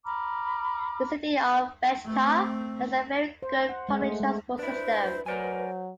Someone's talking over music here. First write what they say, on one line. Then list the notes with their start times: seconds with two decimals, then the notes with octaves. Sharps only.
The City of Vechta has a very good public transport system.
0.05 A#5 B5 D6 F6
2.04 A3 C4
3.43 C5
3.69 F#5
3.89 G#3
4.02 A3
4.20 G#3
4.59 D4 E4 B4 C5
5.26 F#3 A#4 C5 D5 G#5